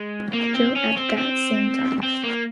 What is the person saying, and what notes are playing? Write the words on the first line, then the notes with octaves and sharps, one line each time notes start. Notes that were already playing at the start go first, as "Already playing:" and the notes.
Joe at that same time.
Already playing: G#3
A#3
C4
C#4
C4
C4
C4
A#3